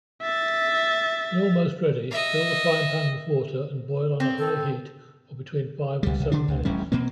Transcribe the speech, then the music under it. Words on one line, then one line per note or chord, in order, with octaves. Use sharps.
When almost ready, fill the frying pan with water and boil on a high heat for between five and seven minutes.
E5 A6
D#5 E5
C4
A4
C#2 G3
C2
D3 D4
C#2
D1 A1 G3 C#4
B2 A#3 C4